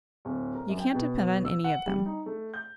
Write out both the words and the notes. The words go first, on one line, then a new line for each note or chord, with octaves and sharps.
You can't depend on any of them.
D1
A#4
F#2
G5
B2
E6
F#5
G3
D#4
A3
G6